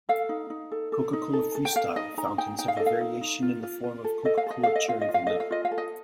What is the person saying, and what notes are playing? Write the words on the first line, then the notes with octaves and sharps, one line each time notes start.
Coca-Cola Freestyle fountains have a variation in the form of Coca-Cola Cherry Vanilla.
A4 F5
D#4
D#4
A4
A4
D#4
A4
A4
G5
A4 F5
D#4 D#5
D#4 A#5
D#4 G5
D#4 G5
F5
A4 D#5
F5
D#4
D#4
F4
F4
F4
A4
A4 D#5
F5
A4 D#5
A4 F5
D#5
F4 F5
D#5
F4
F5
A4 D#5
F5
F4 D#5
F5
A4
D#5